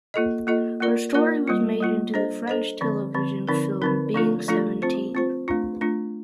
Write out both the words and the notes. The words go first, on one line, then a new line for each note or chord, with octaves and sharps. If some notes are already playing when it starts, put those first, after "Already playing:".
Her story was made into the French television film "Being Seventeen".
A#3 F4 A4 D#5
A#3 F4 A4 D#5
A#3 F4 A#4 D5
A#3 F4 A#4 D5
G3 A#3 F4
G3 A#3 F4
D4 A4 C5 D#5
D4 A4 C5 D#5
D3 F3 C4
D3 F3 C4
D3 F3 C4 D#4 A#4
D3 F3 C4 D#4 A#4
F3 A3 D4 F4 A4
F3 A3 D4 F4 A4
C4 F4 C5
C4 F4 C5
A3 D4 F4
A3 D4 F4